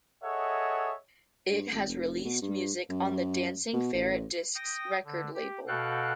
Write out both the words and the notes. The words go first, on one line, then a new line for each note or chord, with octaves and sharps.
It has released music on the Dancing Ferret Discs record label.
G#4 A4 C#5 D#5 E5 F#5
G2
G#1
F1
B2
G2
F#2
B2
A1
G5 D#6 A#6
D3
G4
B2 F#4 A4 F5 G5 F#6